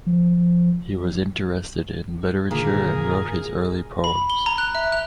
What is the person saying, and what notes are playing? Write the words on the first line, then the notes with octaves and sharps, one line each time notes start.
He was interested in literature and wrote his early poems.
F3
A#2 D3 D#3 G#4 A#4
B5
G7
A#5
F#6
E5
F#6